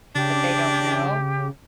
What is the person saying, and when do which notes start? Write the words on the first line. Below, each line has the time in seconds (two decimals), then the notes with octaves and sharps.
that they don't know,
0.15 C#3 D4 G4